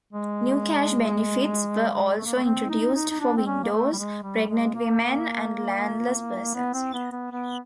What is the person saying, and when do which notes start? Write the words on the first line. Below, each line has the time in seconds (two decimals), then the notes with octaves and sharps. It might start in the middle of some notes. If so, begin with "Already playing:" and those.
New cash benefits were also introduced for widows, pregnant women, and landless persons.
0.13 G#3
1.93 G#3
2.18 A3
2.26 A#3
2.35 A3
2.44 C4
2.70 D#4
2.95 D#4
3.10 D#4
3.21 D4
3.37 C4
3.47 C#4
3.64 A#3
3.72 A3
3.93 G3
3.98 G#3
4.23 G3
4.49 G#3
4.75 A#3
6.55 B3
6.74 C4
6.94 B3
7.12 B3
7.32 B3